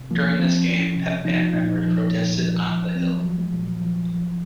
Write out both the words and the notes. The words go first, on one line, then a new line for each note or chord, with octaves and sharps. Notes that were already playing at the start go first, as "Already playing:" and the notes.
During this game, Pep Band members protested on "The Hill".
Already playing: C3
F3 A#3
A#3
F3 C4
F3 C#4
C3
F3 D#4
F4
A#2 D#4
F3
A#2
F3
F3
F3 C4
F#3
F3 F#3
G#3
A#2 F#3
F3
F3